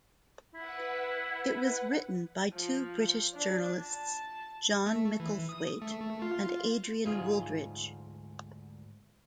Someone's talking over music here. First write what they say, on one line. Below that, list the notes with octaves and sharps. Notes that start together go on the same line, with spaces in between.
It was written by two British journalists, John Micklethwait and Adrian Wooldridge.
E4 B4 F#5
F3
D4
A5
A3
E3
D#6
A3
F4
D2 G#2 F4 G#4